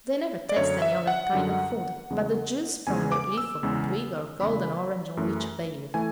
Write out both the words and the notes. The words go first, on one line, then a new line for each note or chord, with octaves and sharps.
They never taste any other kind of food but the juice from the leaf or twig or golden orange on which they live.
D5
F#2 D3 F#3 C#5
E5
F#5
F#2 D3 F#3
E2 C#3 G#3
E2 C#3 G#3 G#5
D6
E6
E2 C#3 G#3
E2 C#3 G#3 B5
F#2 E3 A3
E3 A3 G#5